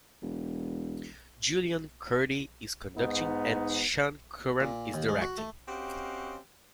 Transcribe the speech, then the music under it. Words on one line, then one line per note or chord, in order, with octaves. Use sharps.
Julian Kuerti is conducting and Sean Curran is directing.
E1
G#2 B3 D#4
A#2
D#2
G#3
F#4
A3
C4 C#4 F#4 G4 D#5 F5